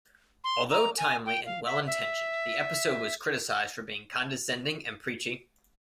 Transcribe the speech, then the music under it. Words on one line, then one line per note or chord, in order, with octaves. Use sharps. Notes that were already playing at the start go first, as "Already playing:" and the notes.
Although timely and well-intentioned, the episode was criticized for being condescending and preachy.
C6
A#5
G#5
G5
F5
E5
E5